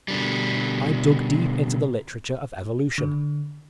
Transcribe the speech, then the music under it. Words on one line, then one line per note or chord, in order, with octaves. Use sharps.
I dug deep into the literature of Evolution.
B2 D3 G3
D3